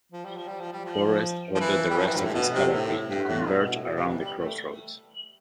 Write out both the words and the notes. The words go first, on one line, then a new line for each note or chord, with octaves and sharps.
Forrest ordered the rest of his cavalry to converge around the crossroads.
F3
G3
F3
G3
F3
G3
F3
F3
E3
G3
F3
E3
G2
A2
B2
C3
A2
G2
A2
B2
B2
A2
B2
C3
E3
G3
A3